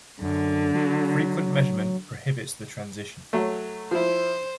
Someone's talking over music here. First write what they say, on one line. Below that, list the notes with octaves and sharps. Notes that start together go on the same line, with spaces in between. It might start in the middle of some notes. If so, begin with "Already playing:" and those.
Frequent measurement prohibits the transition.
F#2 D3
F#3
F#3 A3
F3 E4 C5